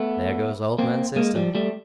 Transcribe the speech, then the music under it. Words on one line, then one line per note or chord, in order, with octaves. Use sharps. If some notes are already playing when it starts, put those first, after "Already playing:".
"There goes old man System!"
Already playing: A3 B3
A#3 C4
G#3 A#3
F3 G3
G3 A3